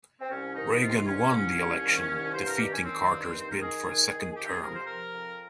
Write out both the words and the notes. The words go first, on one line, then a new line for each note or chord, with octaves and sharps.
Reagan won the election, defeating Carter's bid for a second term.
C4
C2 C#4
D#3 D#4
C3 F4
C2 C#4
C2 C#4
C2
D#3
C2
G2 C5
A#4
D#3 G4
C#4
D#3 C4
G2
D#3
C5
A#4
D#3 G#4
D#3
D#3
G#4
F2 G4
G#4
C3 A#4
C5
F3 A#4
F2